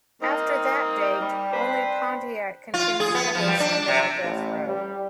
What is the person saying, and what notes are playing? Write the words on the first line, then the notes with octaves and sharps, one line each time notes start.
After that date, only Pontiac continued to host the male death row.
G3 A#3 C4 D#4
G3
C4 D4 B4 C5
F4
G#4
B3
F3
G3
D4
C3
A1
G3